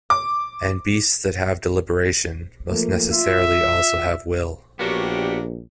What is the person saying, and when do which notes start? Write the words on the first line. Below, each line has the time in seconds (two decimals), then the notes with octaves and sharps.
And beasts that have deliberation, must necessarily also have will.
0.10 D6
2.70 F3 A3 A#3
3.13 F4 E5
4.79 A#1 A#3 B3 D4 F#4 G4 C#5